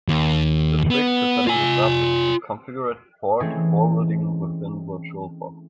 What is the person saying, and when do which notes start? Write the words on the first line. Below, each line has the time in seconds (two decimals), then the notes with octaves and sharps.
The trick to setting this up is to configure port forwarding within Virtual Box.
0.08 D#2
0.90 B3
1.47 F4 G#5
3.40 E3 G#3 A3 C4 C#4 E4